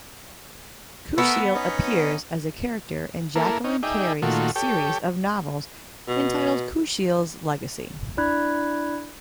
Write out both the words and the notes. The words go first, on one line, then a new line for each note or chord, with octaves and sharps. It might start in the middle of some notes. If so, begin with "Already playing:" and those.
Kushiel appears as a character in Jacqueline Carey's series of novels entitled Kushiel's Legacy.
A3 B3 A#4 E6
C#4 D#4
A#3 E4 A4 A#4
C#4 D#4
D#4 G#4 D5 E5 G5
A#2 D#3 A3 F4 F#4
G4 A4 C#5 G5
B2
D4 E4 D5 B5 F#6 G#6